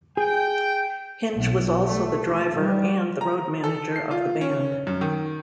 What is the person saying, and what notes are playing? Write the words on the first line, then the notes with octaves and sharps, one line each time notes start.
Hinch was also the driver and the road manager of the band.
G#4 G5
B1
A3
A3
G3
A#5
A4
C7
F4
C#4
F#2
D#3